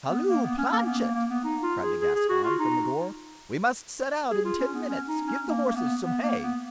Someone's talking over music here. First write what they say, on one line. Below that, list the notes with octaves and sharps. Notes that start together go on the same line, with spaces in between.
"Halloo, Planchet!" cried the Gascon from the door, "we must set out in ten minutes; give the horses some hay."
B3
A#3
B3
C#4
A#3
B3
A#3
A#3
B3
D#4
F4
G#4
G#4
G#4
F#4
F4
D#4
G#4
F4
C#4
B3
C#4
D#4
C#4
A#3
A#3
B3
B3
A#3
B3